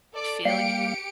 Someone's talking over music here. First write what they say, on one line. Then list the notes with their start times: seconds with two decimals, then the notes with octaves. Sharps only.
feel you
0.14 A4 D5 D6
0.45 G3 A#3 G4 F5 C#7 D7